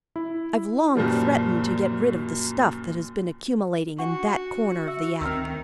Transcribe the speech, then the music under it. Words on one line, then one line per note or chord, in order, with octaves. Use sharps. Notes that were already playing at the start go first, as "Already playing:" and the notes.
I've long threatened to get rid of the stuff that has been accumulating in that corner of the attic.
E4
F#2 A#2 F3 G3
D4 F#4 F#5 C#6
E5 E6
D2 D#3 C4 A#4 E6 F6